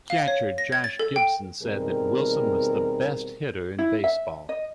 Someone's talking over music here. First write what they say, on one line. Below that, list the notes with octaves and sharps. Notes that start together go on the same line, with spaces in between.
Catcher Josh Gibson said that Wilson was the best hitter in baseball.
F5
C#5
A#6
G#6
A6
A4
G5
B2 D#3 G3 C4 G#4 A#4
E4
E5
D#5